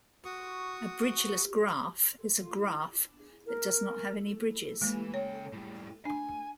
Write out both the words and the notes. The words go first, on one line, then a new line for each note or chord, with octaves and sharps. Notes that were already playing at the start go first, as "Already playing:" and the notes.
A bridgeless graph is a graph that does not have any bridges.
F#4 C#6 D#6
A#4
E3 G#3 A#3 B4
C#3 C#5 G5
A2 G3
D4 G#5